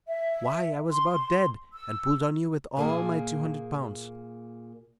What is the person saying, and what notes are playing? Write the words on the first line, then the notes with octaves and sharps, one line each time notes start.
Why, I was about dead, and pulled on you with all my two hundred pounds.
E5
C6
E6
A#2 A#3 G#4